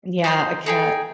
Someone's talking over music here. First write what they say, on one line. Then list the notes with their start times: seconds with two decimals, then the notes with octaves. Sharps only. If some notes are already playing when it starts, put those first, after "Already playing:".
Yeah, a cat.
0.24 D#4 C5 C6
0.66 D#4 G#4 A4 G5